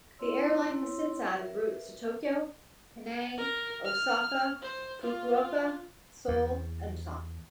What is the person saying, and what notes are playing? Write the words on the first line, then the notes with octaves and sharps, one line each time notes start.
The airline has since added routes to Tokyo, Penang, Osaka, Fukuoka, Seoul and Busan.
C4 E4 F4 C#5 C6 E6
A#4 B4 E5
A#4
F6
C5
F4
E2